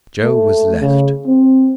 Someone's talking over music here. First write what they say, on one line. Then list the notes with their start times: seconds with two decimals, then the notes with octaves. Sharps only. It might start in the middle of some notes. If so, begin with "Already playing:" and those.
Joe was left.
0.23 A3
0.81 C#3
1.27 C4